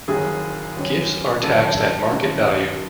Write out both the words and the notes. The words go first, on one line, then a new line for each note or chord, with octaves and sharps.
Gifts are taxed at market value.
F#1 F#2 D#3 G#4
F#1 F#2 D#3
F#1 F#2 D#3 A4
A4
F#1 F#2 D#3